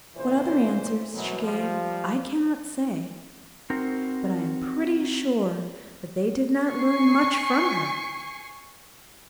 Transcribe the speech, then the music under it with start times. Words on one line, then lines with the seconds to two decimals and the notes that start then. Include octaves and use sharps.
What other answers she gave I cannot say, but I am pretty sure that they did not learn much from her.
0.16 A#2 C#3 E3 C5
1.13 F#2 B2 E3 F#3
1.43 F3 G3
3.70 C4 D#4 F#4 A#4 C5
6.70 G#5 C#6 C7